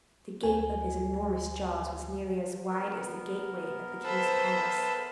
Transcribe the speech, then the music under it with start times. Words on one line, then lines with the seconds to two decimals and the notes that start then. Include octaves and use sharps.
The gape of his enormous jaws was nearly as wide as the gateway of the king's palace.
0.44 D2 G#5
2.69 B3 A#4
4.05 A4 B4 C5 E5